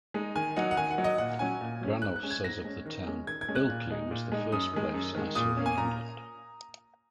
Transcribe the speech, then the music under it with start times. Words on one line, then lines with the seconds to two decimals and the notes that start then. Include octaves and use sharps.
Granov says of the town, Ilkley was the first place I saw in England.
0.14 G#3 D#4
0.36 D#3 G#5
0.56 F#3 D#4 F#5
0.71 F#5
0.77 D#3 G#5
0.91 F#5
0.98 F#3 D#4
1.04 D#5
1.18 A#2 F#5
1.39 F#3 C#4 G#5
1.61 A#2
1.81 F#3 C#4
2.02 G#2 F#6
2.16 F#6
2.23 G#3 C#4
2.30 G#6
2.44 G#2 A#6
2.64 G#3 C#4
2.85 D#3
3.06 G#3 C#4
3.27 D#3 G#6
3.41 G#6
3.48 G#3 C#4
3.55 F#6
3.69 A#2
3.90 G#3 D#4
4.11 A#2
4.32 G#3 D#4
4.52 F#2 D#6
4.74 D#3 G#3
4.94 F#2
5.15 D#3 G#3
5.35 A#2 D#6
5.57 A#3 C#4
5.66 G#5
5.78 A#2 A#5